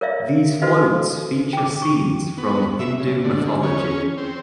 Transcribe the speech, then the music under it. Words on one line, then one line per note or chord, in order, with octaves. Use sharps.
These floats feature scenes from Hindu mythology.
A#4 C#5 D5 E5 F5
F#4 A4 B4 C5 D#5 F5
G5 D6
C#6
B3
E5
C#3
D3
C#4
C4